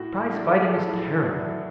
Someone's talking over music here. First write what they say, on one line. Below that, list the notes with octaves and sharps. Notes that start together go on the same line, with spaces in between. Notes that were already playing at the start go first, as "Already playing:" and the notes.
Prize-fighting is terrible.
Already playing: A2 F#4
F#3 A3 D4
A4
G#4
A2 A4
F#3 A3 D4